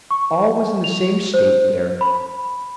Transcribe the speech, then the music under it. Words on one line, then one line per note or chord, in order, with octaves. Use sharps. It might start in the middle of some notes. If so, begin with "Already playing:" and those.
All was in the same state there.
C#6
F7
C5
B5